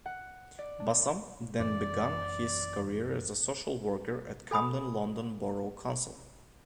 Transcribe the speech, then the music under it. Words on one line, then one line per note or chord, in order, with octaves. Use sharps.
Bassam then began his career as a social worker at Camden London Borough Council.
F#5
D5
D4
F#2 E3 D5
A4 G#5 B5 D#6